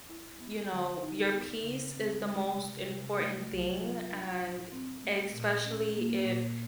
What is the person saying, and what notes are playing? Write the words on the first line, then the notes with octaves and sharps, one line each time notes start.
you know, your peace is the most important thing. And especially if
E4
B3
D3
D#4
B3
C#3
C4
G#3
C3
C3
A3
F#3
F4
D4
A2
C4
A3
A#2
C#4
A#3
A#2